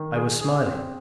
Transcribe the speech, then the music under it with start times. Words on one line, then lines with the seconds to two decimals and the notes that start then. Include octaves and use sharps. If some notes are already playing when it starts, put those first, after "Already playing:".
I was smiling.
Already playing: D#3
0.16 G#4
0.41 G#4
0.66 C4